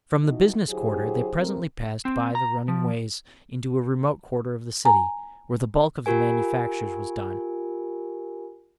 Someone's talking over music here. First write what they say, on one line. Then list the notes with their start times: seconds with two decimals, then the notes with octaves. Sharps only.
From the Business Quarter they presently passed by the running ways into a remote quarter of the city, where the bulk of the manufactures was done.
0.22 B2 E3 D#4
0.69 D3 F#3 E4 G4 G#4 C5
1.38 G2 C3 F#3 A3 C4 A#4
2.05 C4
2.35 A#5
2.68 F3
4.85 G#5 A#5
6.06 F4 G4 A#4 G#5